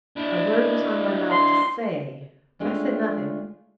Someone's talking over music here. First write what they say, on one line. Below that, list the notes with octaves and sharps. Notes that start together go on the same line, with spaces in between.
A word was on my mouth to say, but I said nothing.
D4 E4
C6
G#3 A3 D4 F4 G4